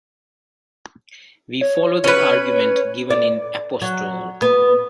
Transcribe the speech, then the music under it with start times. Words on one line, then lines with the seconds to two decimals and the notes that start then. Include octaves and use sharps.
We follow the argument given in Apostol.
1.61 C#5
2.04 C#4 B4
3.10 D5
3.81 F#3
4.42 B3